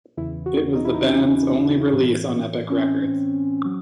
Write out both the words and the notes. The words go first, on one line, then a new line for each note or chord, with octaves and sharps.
It was the band's only release on Epic Records.
E2 C#3 E3 E4
F#4
D#4
E4
D#4
C#4
A2 E3
C#4
C4
F#3